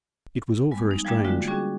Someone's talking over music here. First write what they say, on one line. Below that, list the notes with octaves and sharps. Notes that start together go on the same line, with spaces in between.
It was all very strange.
G3 G#3 B3
D#4
F3 G3 G#3 A#3 D4
D3 G#3 F4 F#4
G3 C#4 D4 F#4 G#4